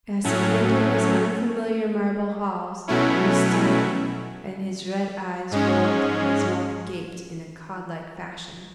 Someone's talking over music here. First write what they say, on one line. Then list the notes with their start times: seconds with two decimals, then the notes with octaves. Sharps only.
As he entered his unfamiliar marble halls he staggered, and his red eyes rolled and his mouth gaped in a cod-like fashion.
0.24 A2 F#3 A3 C#4
2.87 B2 F#3 A3 C#4 E4
5.51 G#2 G#3 C#4